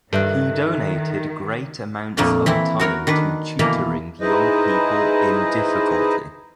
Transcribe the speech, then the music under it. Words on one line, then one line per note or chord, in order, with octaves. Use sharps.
He donated great amounts of time to tutoring young people in difficulty.
G2 D#3 A4 E5 F#6
F2 A#2 A3 A#3 D4
E3 C4 E4
F#4 A#4 C#5
D#3 D4 B4
B2 E3 A#3 A#5
D#4 E4 G#4 B4 C5 D#5